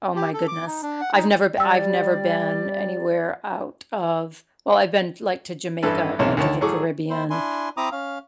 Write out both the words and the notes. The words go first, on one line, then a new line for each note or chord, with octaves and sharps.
Oh my goodness. I've never be I've never been anywhere out of well, I've been, like, to Jamaica, I've been to the Caribbean,
G4
A4
D6
D#4
D4
F#5
D#4
G3 D5 G5 E6
A1 G2 A4 B4 A5
B1 G#2 C3 A#3 C#4 A5
D2 D#3 C#5 A5
A2 F#3 G#4 A4 C#6 D6
E4 C5
D4 E4 G#5 C6
C4 E4 A#5 D6 D#6
C#4 F5